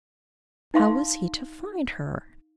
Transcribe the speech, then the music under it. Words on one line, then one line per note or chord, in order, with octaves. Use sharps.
How was he to find her?
D#4 F5 C6